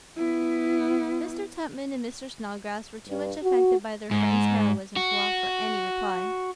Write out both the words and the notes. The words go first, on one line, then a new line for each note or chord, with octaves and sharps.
Mr. Tupman and Mr. Snodgrass were too much affected by their friend's heroism to offer any reply.
B3 E4
G2
F#4
G#2
F#4